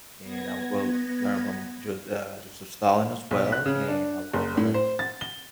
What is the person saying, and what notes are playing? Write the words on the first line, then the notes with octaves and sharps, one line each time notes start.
and I will learn from Jos uh, Joseph Stalin as well, and I'll go lear
B3 G#6 A#6
B1
F#6
C#3
D4
F#1
A2
C5
A6
G7